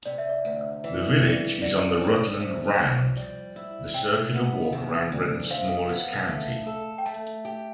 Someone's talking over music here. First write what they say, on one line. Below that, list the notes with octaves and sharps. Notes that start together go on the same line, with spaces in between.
The village is on the Rutland Round, the circular walk around Britain's smallest county.
C3 D5
E5
D5
D2
E3
G2
D3 D5
C4
C3 C5
F2
G3
E4
C3 G5
B3
C3
D2
C3 F5
B3
A3
A4
G5
A3 A5
G4